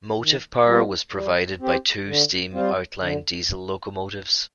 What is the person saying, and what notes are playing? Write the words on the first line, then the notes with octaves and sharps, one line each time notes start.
Motive power was provided by two steam outline diesel locomotives.
D#3
G3 B3 F4
G3
C4 G4
D3
G3 C4 F4
D3